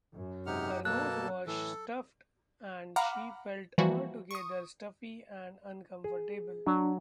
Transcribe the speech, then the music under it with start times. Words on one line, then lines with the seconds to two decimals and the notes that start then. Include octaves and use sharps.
Her nose was stuffed, and she felt altogether stuffy and uncomfortable.
0.15 F#2
0.46 G#2 C3 D#4 G4 F#5 F6
0.85 B2 A#3 A4 A5 F#6
1.47 A2 E3 A4
2.96 F5 F#5 A#5 B5 D6 F6
3.78 E3 F3 G3 A#3 F#4
4.31 C#6 D#6
6.04 G#4
6.67 F#3 D4